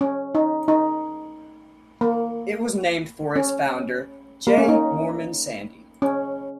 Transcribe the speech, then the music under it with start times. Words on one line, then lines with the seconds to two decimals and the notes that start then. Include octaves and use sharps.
It was named for its founder, J. Moorman Sandy.
0.01 C#4
0.35 D#4
0.68 D#4
2.01 A#3
3.36 C#4
4.47 A#3
4.58 C#4
4.68 D#4
6.02 C#4